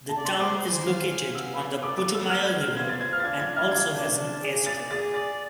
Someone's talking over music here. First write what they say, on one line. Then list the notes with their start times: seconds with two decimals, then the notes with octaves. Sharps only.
The town is located on the Putumayo River and also has an airstrip.
0.09 A5
0.17 D5
0.25 C6
0.40 C5 D6
0.64 G#5
0.88 F5
1.11 G#5
1.35 B3 E6
1.59 D5
1.82 A4 D6
1.98 D6
2.06 B3
2.14 E6
2.29 C5 F6
2.46 G#6
2.53 C5
2.61 F6
2.77 F4 G#6
2.89 A6
3.01 F4 G#6
3.13 F6
3.20 A6
3.24 D4 G#6
3.39 G#6
3.48 F4
3.56 F6
3.72 D4 G#6
3.95 D4
4.19 A5
4.43 G#4
4.66 D5 A6
4.90 G#4 A6
5.14 D5 A6